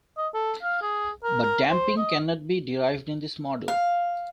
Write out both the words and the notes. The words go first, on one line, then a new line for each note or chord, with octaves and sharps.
But damping cannot be derived in this model.
D#5
A4
F5
G#4
A#4
A#4
C5
D#5
F5